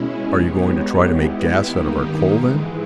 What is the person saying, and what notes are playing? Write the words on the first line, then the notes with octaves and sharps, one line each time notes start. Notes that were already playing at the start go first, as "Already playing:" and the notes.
"Are you going to try to make gas out of our coal then?"
Already playing: B2 G#3 C#4 E4
G#3 B3 D#4 G4 C#5
G#3 B3 E4 G4
G2 D#3 A#3 D#4 G4
G#2 E3 G#3